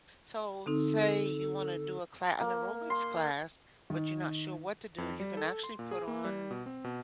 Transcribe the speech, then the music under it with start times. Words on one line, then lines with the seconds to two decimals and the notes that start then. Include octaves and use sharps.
So, say you wanna do a cla an aerobics class, but you're not sure what to do, you can actually put on
0.66 D3 C4 D#4 A4
2.40 A#3
2.90 C6
3.90 D#3
4.98 F2
5.20 G3
5.37 A4
5.63 C6
5.79 A#2
5.91 G#4
6.08 A#3
6.24 G3
6.51 B2
6.66 C4
6.84 B2